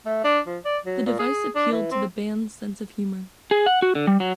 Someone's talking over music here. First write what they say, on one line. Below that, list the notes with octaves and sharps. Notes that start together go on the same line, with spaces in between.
The device appealed to the band's sense of humour.
A3
D4
F3
D5
F#3
A#2
G#4
D4
E3
C4
G#4
F#5
F#4
D3
G3
F#3